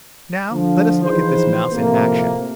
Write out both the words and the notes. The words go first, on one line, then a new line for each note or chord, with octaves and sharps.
Now let us look at this mouse in action.
D3 F3
E3 F3 D#4 G#4 B4 C5
A2 C3 F3 A3 A#3